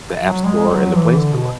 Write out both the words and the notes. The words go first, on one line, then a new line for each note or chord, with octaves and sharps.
the App Store and the Play Store.
F#3
G#3
F#3
E3
D3
B2